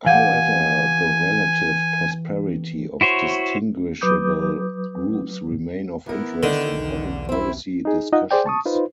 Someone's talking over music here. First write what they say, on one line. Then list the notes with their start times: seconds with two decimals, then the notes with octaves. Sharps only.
However the relative prosperity of distinguishable groups remain of interest in public policy discussions.
0.06 E3 G4 F5 F#5 G#5
3.01 E4 F#4 C5 C#5
4.01 F#3 B4 D6 D#6 G6
6.06 E3 B3 E4 A#4
6.43 D3 D#3
6.75 B1 E2
7.29 C4 E4
7.85 D#4 G#4
8.12 D#4 F4 D#5 F#5
8.31 G#4 C5 D5 G5
8.46 A5 C#6 D#6
8.66 D#4 F4 B4 C5